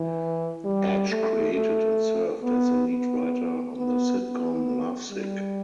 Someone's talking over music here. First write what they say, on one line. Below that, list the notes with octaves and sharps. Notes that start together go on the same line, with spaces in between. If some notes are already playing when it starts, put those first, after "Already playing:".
Edge created and served as the lead writer on the sitcom "Lovesick".
Already playing: E3
G3
A3
A3
B3
B3
B3
B3
G3